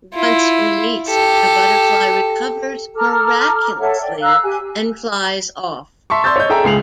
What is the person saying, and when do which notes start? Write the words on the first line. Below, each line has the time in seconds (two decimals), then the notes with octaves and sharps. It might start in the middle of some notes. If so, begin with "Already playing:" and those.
Once released the butterfly "recovers miraculously" and flies off.
0.14 E4 F4
1.09 G4 A4
2.95 A4 A#5 D6 F6
3.79 A4 C#5 E5 F#5
4.00 D5 G5
4.21 F5 A#5 E6 F#6
4.43 G4 G#5
6.10 E5 A5 C6 C#6
6.24 D5 C6 E6 G6 A6
6.36 C#5 D#5 G6
6.50 G#4 A4 E5 G5 A#5
6.64 C#2 G#3 C7 F7 F#7